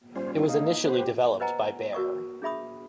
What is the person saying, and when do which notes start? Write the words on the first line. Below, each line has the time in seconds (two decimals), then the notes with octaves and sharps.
It was initially developed by Bayer.
0.16 G3 C#4 F4 C5
0.36 G2 E4
0.48 A3 D#4 F5
0.84 B3 B4 C5
0.98 G4
1.40 B4 C5 D#5 F#5 G#5 A#5
1.93 F#4 A#4 C#6 D#6
2.42 D4 G#4 E5 B5 D#6